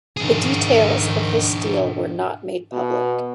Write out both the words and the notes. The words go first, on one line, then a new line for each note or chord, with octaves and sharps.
The details of this deal were not made public.
G#2 D#3 D4 G#4
B2